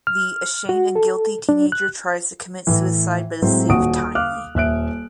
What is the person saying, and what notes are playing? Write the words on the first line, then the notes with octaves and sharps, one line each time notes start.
The ashamed and guilty teenager tries to commit suicide but is saved timely.
F6
F#4
A4
D4
F#6
A2 E3
A2 F#3 G#3 C4
D#1 D#2 F#4 D#6 D7
F5 D6 F6 F#6
D#1 E5 F#6 D7